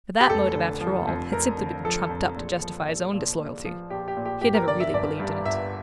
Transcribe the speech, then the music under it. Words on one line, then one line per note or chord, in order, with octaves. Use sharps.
But that motive, after all, had simply been trumped up to justify his own disloyalty: he had never really believed in it.
G4
F1 A4
D3
F3
F2
F1 A#4
D3
F3 A4
F2
A#1
F3
A#1
A#2
A#1
F3
A#1 G4
G4
A#2
G4
G1 G4
A#4
D3 D5
E5
G1 D5
G2
G1 E5